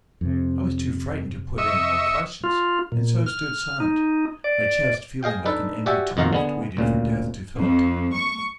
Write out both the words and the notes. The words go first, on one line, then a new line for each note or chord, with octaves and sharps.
I was too frightened to put any more questions, and so stood silent--my chest feeling like an empty tomb that waited for death to fill it.
F2 C3
D#5 E5 C#6
F4
A#2
F6
D#4
D5
G#4 D#5 F5 G5
D4 D#4 A4 B4
F#4 G4 D5 E5 F#5 G#5
F2 D#3 D#4 F#4 F5 A#5
D3 B3 G#4
D2 A#2 C#3
F2
C#6